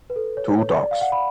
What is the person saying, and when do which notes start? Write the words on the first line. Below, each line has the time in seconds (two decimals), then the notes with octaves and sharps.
Two dogs.
0.10 B4
0.16 A4
0.37 C#5
0.59 C#5
0.80 D5
0.91 F5
1.01 F#5
1.12 B5